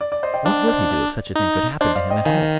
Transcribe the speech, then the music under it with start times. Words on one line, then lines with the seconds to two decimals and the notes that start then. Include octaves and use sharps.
What would he do if such a thing could happen to him at home?
0.01 D5
0.12 D5
0.23 C5 D#5
0.34 D#5 G5
0.45 D4 D5 F5
0.68 C5 D#5
0.91 D5
1.35 D#4
1.81 D4 C5 D#5
1.95 D5 F5
2.10 D#5 G5
2.25 D#3 F5 G#5